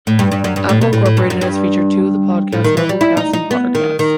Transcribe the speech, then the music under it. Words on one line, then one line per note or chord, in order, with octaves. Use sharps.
Apple Incorporated has featured two of the podcasts, MuggleCast and PotterCast.
A2
G2
G2
F#2
G2
A2
B2
A2
A2
G2
F#2
G2
A2
D#3
E3
G3
E4
D#4
D#4
B3
D#3
D#3